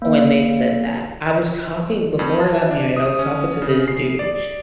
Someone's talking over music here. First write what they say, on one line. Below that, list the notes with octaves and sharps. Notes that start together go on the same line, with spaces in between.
when they said that. I was talking Before I got married, I was talking to this dude,
A#3
F2
A5
D4
D#6
C#4
C#3
C7
D5